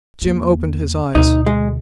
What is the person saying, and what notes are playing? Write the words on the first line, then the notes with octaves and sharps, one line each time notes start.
Jim opened his eyes.
E2 A#3
D2 B2 D#4
G#3